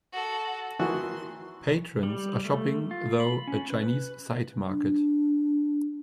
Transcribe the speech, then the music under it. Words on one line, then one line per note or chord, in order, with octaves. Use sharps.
Patrons are shopping though a Chinese side market.
F#4 A4
D#3 E3 F#4 C6
G3
A3
F4
B5
C#4
B4
D4